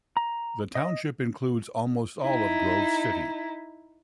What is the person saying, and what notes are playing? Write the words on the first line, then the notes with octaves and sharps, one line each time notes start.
The township includes almost all of Grove City.
A#5
D#5
D#4 E4